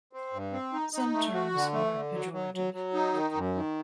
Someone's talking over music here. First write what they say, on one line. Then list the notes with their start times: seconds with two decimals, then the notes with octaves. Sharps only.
Some terms are pejorative.
0.13 C4
0.33 G2
0.52 C4
0.73 D#4
0.93 D#4
1.14 A3
1.34 F#4
1.54 D3
1.73 A3
1.94 D3
2.13 F#3
2.33 F#3
2.54 F#3
2.74 F#3
2.94 D#4
3.14 D#3
3.35 F#2
3.55 D#3